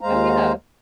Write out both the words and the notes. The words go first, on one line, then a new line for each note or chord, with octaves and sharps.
Oh, yeah.
D#2 G#3 C5 F5 A#5